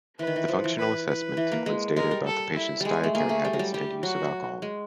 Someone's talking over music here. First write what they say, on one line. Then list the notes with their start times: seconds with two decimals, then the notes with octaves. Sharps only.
The functional assessment includes data about the patient's dietary habits and use of alcohol.
0.19 E3 B4
0.27 D#3
0.36 E3
0.48 F3
0.64 E3
0.78 B4
1.08 B4
1.37 E3
1.52 A#3
1.66 G#3
1.96 G#3 A#4
2.11 G3
2.26 A4
2.56 E4
2.81 G3 G#3 G#4
3.04 A3
3.14 A#3 G#4
3.29 A3
3.45 G3
3.53 F#3
3.59 G3
3.73 G3 G4
4.03 F#3 F#4
4.62 G#3